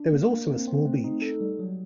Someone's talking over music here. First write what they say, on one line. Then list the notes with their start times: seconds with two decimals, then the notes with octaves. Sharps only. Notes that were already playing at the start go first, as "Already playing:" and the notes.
There is also a small beach.
Already playing: D4
0.13 A#3
0.31 A#3
0.49 C4
0.67 C4
0.86 A3
1.04 D#4
1.22 A4
1.41 G3
1.59 F#3